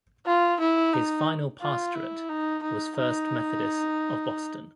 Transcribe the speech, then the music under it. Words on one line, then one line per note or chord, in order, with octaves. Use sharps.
His final pastorate was First Methodist of Boston.
F4
E4
D#4
F4
E4
D#4
D#4
D#4